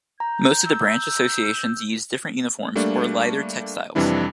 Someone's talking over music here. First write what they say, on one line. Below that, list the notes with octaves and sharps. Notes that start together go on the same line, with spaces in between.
Most of the branch associations use different uniforms or lighter textiles.
A#5 G6
E6
G3 A3 A#3 D4
F2 C3 E3 G3 D4 E4